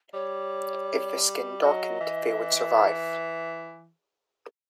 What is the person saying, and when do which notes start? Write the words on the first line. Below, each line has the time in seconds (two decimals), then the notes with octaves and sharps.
If the skin darkened, they would survive.
0.13 G3 C#5
1.62 F#3 D#5
2.00 E3